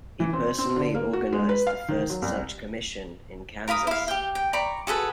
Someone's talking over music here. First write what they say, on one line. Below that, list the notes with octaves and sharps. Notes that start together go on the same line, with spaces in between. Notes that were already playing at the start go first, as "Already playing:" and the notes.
He personally organized the first such commission, in Kansas.
E3
C4
C4
D3
A#3
F#4
G#3
B4
F5
D#3
F#3
C2
A#4 F5 B5 D#6
E4 F5
G4 G5
G5
D5 A#5 B5 C#6
F#4 G#4 A4 B4